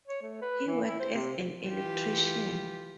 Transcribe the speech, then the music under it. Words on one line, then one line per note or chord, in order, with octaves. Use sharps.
He worked as an electrician.
C#5
A3
B4
E3
E4
C5
C3
E3 F4 G4